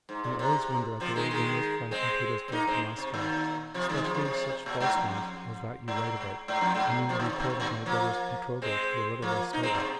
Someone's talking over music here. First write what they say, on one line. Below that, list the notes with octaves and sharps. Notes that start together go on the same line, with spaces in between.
I always wonder at the way rumors fly from Petersburg to Moscow, especially such false ones as that you write about--I mean the report of my brother's betrothal to the little Rostova.
G#2
A#2
C3
C3 F3
D#3 G#3
D#3 G#3
G#3 C4
C4
A#3 D#4
G#3 C4
C3
A#2 D#3
C3 F3
D#3 G#3
C3 F3
C3 F3
C3
A#2
G#2
F2
G#2
G#2
F2
G#2
C3 F3
A#2 D#3
C3
A#2 D#3
C3
A#2 D#3
F3 A#3
G#3 C4
F3 A#3
A#3 D#4
G#3 C4
A#2
C3